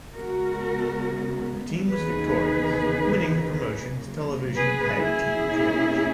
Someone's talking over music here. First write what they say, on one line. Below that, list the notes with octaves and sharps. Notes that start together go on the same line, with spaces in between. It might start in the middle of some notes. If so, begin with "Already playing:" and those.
The team was victorious, winning the promotion's Television Tag Team Championship.
C#3 G#3 B3 F#4 A#4
D#2 C#3 E3 B3 D#4 G#4 B4
C#3 F#3 A#3
G#4 B4
E4 G#4
B2 A#3 C#4